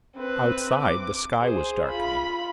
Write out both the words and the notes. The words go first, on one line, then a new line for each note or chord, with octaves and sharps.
Outside the sky was darkening.
C4 B4
D6
G#4 C5
F4 B5